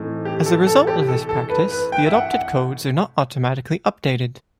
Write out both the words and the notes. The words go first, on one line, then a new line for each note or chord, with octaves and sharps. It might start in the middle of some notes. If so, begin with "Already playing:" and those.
As a result of this practice, the adopted codes are not automatically updated.
Already playing: A2 E3 A3 C4 D#4
G4
A4
A4
G4
A4
A4
B4
B4
G5
E5
F#5
F#5